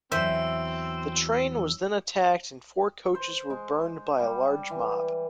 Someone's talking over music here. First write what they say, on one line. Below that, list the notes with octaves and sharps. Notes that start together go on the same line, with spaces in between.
The train was then attacked and four coaches were burned by a large mob.
E2 E3 F#3 C4 C5 E5 E6
C5
G#3
G3
E3